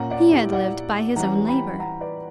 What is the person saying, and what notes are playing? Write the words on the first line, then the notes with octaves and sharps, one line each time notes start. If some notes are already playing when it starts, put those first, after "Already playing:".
He had lived by his own labor.
Already playing: A#2 A#3 C#4 F#5 A#5
D5 F#5
E4 G4
D5 F#5
E3 G3 C#4 F#5 A#5
G5 B5
F#5 A#5
B4 D5